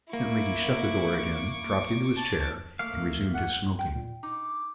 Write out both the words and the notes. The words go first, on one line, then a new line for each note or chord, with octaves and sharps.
Instantly he shut the door again, dropped into his chair, and resumed his smoking.
A#3 E4 C#6 D6
A5
A3 A#3 F5
F#5
G5
A#2
D#4 D6